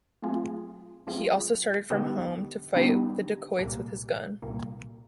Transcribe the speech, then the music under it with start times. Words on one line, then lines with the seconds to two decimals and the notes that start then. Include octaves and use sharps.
He also started from home to fight the dacoits with his gun.
0.22 F#3 A3 C4 F4 G#4
1.07 F#3 A3 C4 F4 G#4
1.90 D3 G3 B3 D#4 G4
2.75 D3 G3 B3 D#4 G4
3.59 C2 A#2 G3 A#3
4.42 C2 A#2 G3 A#3